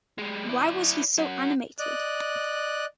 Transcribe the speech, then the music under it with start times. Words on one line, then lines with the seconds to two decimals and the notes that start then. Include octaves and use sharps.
Why was he so animated?
0.19 G3 G#3
0.49 E4 D5
1.19 C#4 F#4
1.79 D5 D#5 F#6